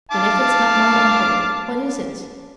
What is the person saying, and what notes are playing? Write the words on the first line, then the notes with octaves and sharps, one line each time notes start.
"Then if it's not my uncle, what is it?"
F5 A5 D6